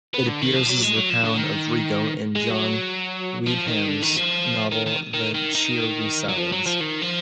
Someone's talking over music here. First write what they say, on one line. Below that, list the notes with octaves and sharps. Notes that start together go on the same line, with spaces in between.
It appears as the town of Rigo in John Wyndham's novel "The Chrysalids".
B3
D3
D#3
F3
F#3
G#3
F#3
F3
D3
D#3
G#3
F#3
F3
D#3
D3
D#3
F3
D#3
D#3
D#3
D#3
D#3
F#3
F3
F#3
F3
D#3
F3